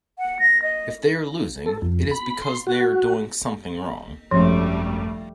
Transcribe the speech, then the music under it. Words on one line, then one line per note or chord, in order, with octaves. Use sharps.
If they are losing, it is because they're doing something wrong.
F#5
A#6
D#5
A4
F2
B5
C6
F#4
G#1 F#2 F3 G3 A3